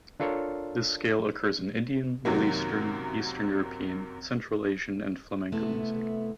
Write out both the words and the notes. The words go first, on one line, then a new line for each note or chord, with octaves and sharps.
This scale occurs in Indian, Middle Eastern, Eastern European, Central Asian and Flamenco music.
D4 F4 A4 A#4 C#5
F#2 C3 D#3 F#3 A#3
C3 A3 B3 E4